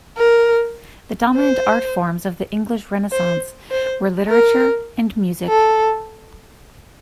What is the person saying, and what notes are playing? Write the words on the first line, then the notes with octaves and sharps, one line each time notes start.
The dominant art forms of the English Renaissance were literature and music.
A#4
C5
C5
C5
A#4
A4